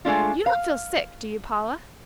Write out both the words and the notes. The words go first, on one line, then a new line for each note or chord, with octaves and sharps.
"You don't feel sick; do you, Paula?"
G#3 A3 D4 F4
F5